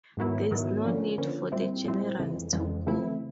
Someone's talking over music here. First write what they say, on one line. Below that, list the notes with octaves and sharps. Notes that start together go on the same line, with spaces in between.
There is no need for the General to go.
G#2 D#3 F#3 B3 E4
G#2 D#3 F#3 B3 E4
D3 F3 A#3 C#4
D3 F3 A#3 C#4
A#2 G3 C4 E4
A#2 G3 C4 E4
F2 C#3 E3 G#3
F2 C#3 E3 G#3
C#3 E3 A3 C4 E4